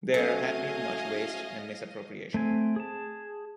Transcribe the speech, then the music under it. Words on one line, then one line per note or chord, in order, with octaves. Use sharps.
There had been much waste and misappropriation.
F#3 A3 C#4 A4 D#5 F5 G#5
A3 C4 G#5
G#4 A5